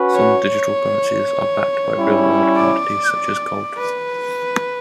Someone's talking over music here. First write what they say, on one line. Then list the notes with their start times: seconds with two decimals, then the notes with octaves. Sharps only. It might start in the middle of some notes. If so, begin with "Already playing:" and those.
Some digital currencies are backed by real-world commodities such as gold.
Already playing: C#4 F#4 B4
0.15 C#5
1.96 G3 C#4 E4
2.56 D5
3.77 B4